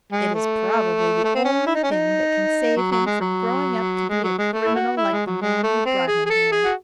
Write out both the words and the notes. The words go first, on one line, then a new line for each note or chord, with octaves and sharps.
It is probably the only thing that can save him from growing up to be a criminal like the man who brought him here.
G#3
A3
A3
C4
C#4
E4
D#4
C#4
D#4
F#3
F#3
G#3
F#3
G#3
F#3
G#3
A3
E4
F#4
E4
G#3
F#3
G#3
A3
C4
G#4
G#4
A4
G#4
F#4